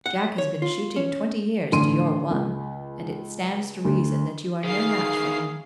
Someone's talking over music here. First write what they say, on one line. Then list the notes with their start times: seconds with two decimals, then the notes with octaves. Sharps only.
Jack has been shooting twenty years to your one, and it stands to reason that you are no match for him.
0.06 F#5
0.38 C#5
0.62 F4
0.96 C#4
1.72 A1 D3 C6 D#7
2.31 C#2
3.85 D2
4.64 D#3 E3 G#4 F5 C7